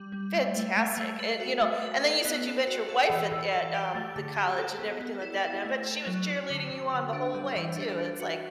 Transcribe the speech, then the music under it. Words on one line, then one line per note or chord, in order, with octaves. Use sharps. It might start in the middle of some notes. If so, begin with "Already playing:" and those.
fantastic, and, you know and then you said you met your wife at at, um, the college and everything like that, and I bet she was cheerleading you on the whole way too, it's, like,
Already playing: G3
G3
A3
A3
A3
A3
B4
F#4
A3
B4
A4
B3
A4
F#4
A4
E3
E3
A4
G4
A3
D3
G4
A4
B3
B3
E4
E4
A3
A4
F#3
F#4
D3
D3
D3
D4
G3
E3
D4
D4
F#4